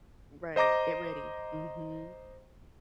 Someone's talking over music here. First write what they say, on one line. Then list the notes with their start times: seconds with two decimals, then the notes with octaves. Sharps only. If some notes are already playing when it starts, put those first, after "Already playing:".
Right, get ready, mhm.
0.56 C5 D#5 A#5 D6 A#6